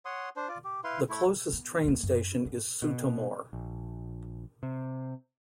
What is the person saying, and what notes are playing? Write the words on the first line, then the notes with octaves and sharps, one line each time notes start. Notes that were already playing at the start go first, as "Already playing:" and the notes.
The closest train station is Sutomore.
C#5 F#5 C6 D#6
D4 C5
F4 D5
G4
E4 B4 F5 C6
A3 E4
B3
D#2 A#3
F#2
G#2
B2
A#1
C3